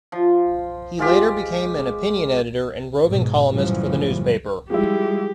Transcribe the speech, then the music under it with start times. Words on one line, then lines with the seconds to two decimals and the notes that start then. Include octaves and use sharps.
Later he became an opinion editor and roving columnist for the newspaper.
0.12 F3
0.99 G#3 F4 G4
3.05 G#2 B2
3.50 F#2 A2 C#3 E3 F3 G3
4.70 F3 G3 G#3 E4 G4 G#4